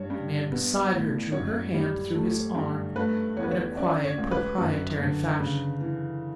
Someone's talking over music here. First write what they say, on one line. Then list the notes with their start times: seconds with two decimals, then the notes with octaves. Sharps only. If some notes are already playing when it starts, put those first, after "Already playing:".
A man beside her drew her hand through his arm in a quiet proprietary fashion.
Already playing: G2 C#5
0.10 G2
0.51 B3
0.92 A2
1.32 F#2 C#5
1.74 G3
2.14 A3
2.55 G2
2.96 A3 B4
3.37 E2 C#5
3.44 B4
3.51 C#5
3.77 C#4 D5
4.04 C#5
4.18 C#2
4.31 B4
4.58 F#2
4.99 D3
5.39 C#3
5.81 E3